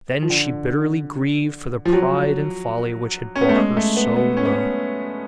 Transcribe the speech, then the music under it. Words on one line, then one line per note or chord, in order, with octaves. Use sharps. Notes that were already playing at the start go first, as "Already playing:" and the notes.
Then she bitterly grieved for the pride and folly which had brought her so low.
F3
D3
F3
F#3
C#4
B3
A3
G#3
A3
B3
B3
C#4
B3
C#4